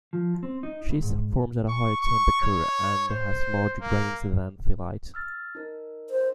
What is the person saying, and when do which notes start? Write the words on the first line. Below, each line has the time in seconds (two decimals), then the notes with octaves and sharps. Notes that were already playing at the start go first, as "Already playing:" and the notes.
Schist forms at a higher temperature and has larger grains than phyllite.
0.13 F3
0.43 C4
0.63 D#4
0.89 C#2
1.02 G#2
1.68 C#6
2.01 C#6
2.42 C#5
3.09 C5
3.80 A#3
5.14 E6 F6 A6
5.55 D#4 A#4
6.10 C5